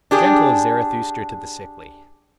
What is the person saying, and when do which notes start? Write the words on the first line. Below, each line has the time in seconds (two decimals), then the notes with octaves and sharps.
Gentle is Zarathustra to the sickly.
0.11 D4 G4 G#4